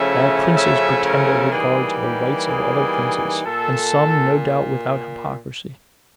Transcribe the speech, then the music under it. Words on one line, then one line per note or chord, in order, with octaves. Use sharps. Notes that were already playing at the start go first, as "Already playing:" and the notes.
All princes pretend a regard to the rights of other princes; and some, no doubt, without hypocrisy.
Already playing: C#3 F3 A3 C#4 E4 E5
E5
A#4
E3 G3 A#3 D#4 G#4
G4
G#4
A#2 A4